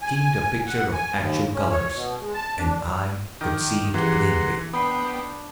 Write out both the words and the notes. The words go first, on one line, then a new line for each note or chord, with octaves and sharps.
It seemed a picture of actual colors, and I could see it plainly.
G#5
F#5
G#5
D#2
C#4
C#5
B2
G#3
A5
D4
D#3 D6 D#6 G6
E3 C#4 G4 G#4 F#5 A#5 C6
B3 D4 G5 B5 D#6 C7